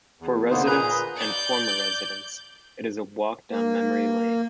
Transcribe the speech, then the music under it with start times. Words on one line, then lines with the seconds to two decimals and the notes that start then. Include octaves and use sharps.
For residents and former residents it is a walk down memory lane.
0.20 E2
0.50 D3 A#3 B3 D#4 C5
0.66 A#2 G#4 B4 A#5 G6
1.16 D5 G6
3.51 A#3